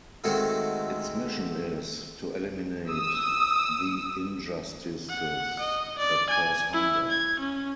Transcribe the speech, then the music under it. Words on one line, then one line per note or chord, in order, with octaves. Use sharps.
Its mission is "to eliminate the injustices that cause hunger".
D#3 G#3 A3 C4 F#4 A4
D#6 E6
F#5
D#5
D5
G#5
E4
G#6
C#4